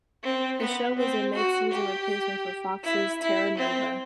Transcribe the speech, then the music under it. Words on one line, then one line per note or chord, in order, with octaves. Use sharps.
The show was a mid-season replacement for Fox's "Terra Nova".
C4
B3
C4
F#4
G4
E4
E4
C4